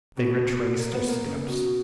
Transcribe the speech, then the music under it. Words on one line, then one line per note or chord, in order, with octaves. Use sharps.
They retraced their steps.
B2
B2
A#3
B3
A#3
C#3
B2